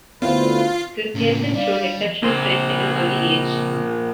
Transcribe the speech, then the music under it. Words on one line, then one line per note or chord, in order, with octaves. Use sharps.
Christiansen showed exceptional strength at an early age.
D2 B3 C4 E4 F4 B4 C5
A2 C#3 A#3 C#4
G3 D4 D5 F5
A#2 C#3 C4 C5